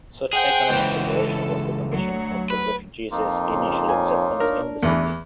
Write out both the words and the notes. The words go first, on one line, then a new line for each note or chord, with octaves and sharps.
Such economic separation was the condition of the refugees' initial acceptance in the City.
G#4 C5 F#5 G5
C#2 E3
A4
D2 F#3
B4
F2 A#3 D#4 F4
C#3
C#5 G#5
D4 A#4
E2 E3